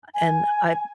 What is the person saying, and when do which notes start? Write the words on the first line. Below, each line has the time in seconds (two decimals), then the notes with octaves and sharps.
and I
0.14 G#5